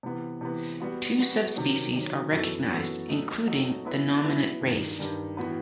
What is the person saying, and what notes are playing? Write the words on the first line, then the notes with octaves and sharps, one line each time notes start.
Two subspecies are recognized, including the nominate race.
C3 E3 B3
C3 E3 B3
G3 B3 F#4
G3 B3 F#4
C3 D#3 F#3
C3 D#3 F#3
F#2 E3 B3 F#4 A4
F#2 E3 B3 F#4 A4
F#3 A3 D#4 F#4
F#3 A3 D#4 F#4
F#3 B3 E4 B4
F#3 B3 E4 B4
G2 D#3 G3
G2 D#3 G3
A2 E3 B3 F#4 B4